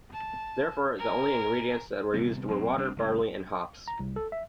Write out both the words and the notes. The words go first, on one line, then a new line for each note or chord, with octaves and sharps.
Therefore, the only ingredients that were used were water, barley, and hops.
A5
A#4 G#5
D#1 C3 G3 B3
E1 F#3 C4
C2 G3 C4 D4
F#1 C#2
A#5
C2
A4
E5